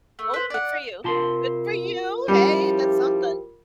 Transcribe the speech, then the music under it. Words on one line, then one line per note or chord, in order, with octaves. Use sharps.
Oh, good for you. Good for you! Hey, that's something.
A3
B4 C5
D5 F#5
C3 F4 A#4 A5 C6
F3 G3 C#4 E4 G4